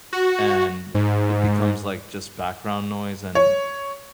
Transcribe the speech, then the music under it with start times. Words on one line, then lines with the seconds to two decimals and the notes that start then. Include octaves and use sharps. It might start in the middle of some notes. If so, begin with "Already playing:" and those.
and it becomes, like, just background noise, and,
0.13 F#4
0.95 G#2
3.35 C#5